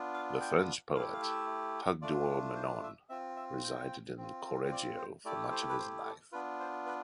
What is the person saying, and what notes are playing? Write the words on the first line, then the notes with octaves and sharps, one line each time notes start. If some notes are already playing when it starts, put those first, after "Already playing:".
The French poet Tugdual Menon resided in Correggio for much of his life.
Already playing: B3 D4 F4
F5
G5
A3 E4 G4 F5
F5
E5
A3 D4 F4 D5
C5
E5
C4 F4 E5
E5
G5
C4 F4
C5
D5
C5
A3 E4 G4 D5
C5
B4
C5
A4
B3 D4 F4 B4
C5
B4